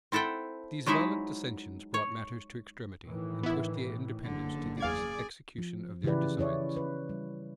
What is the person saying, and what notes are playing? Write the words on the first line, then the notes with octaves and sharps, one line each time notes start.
These violent dissensions brought matters to extremity, and pushed the Independents to the execution of their designs.
C4 E4 A4 F#5 G5
F#3 G#3 D#4 E4 E5
C#5
A2 D#3 E3
B3 E4
F#1 D3
E2 G#4 D5 F5 G#6
F3
C#3 E3 E4 G4 B4 D5
C#4 E4 C#5 D5
B4
G3